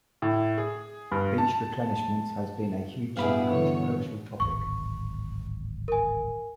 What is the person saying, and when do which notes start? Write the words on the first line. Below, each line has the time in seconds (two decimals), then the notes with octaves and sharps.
Beach replenishment has been a hugely controversial topic.
0.22 A2
0.58 G#4
1.11 G2
1.38 A5
3.17 G2 B2 B3 E4 G#4 F5 B5
3.52 D3 E3 C#5
4.40 D1 G#1 C#6
5.88 A#4 G#5